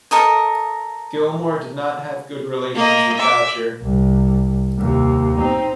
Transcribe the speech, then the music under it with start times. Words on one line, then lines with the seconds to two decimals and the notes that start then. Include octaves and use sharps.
Gilmour did not have good relations with Thatcher.
0.11 A4 A#4 D#5 D#6
2.75 A#3 D#5
3.17 E5 D6
3.82 C2
4.77 D#2 C3
5.37 C4 D#4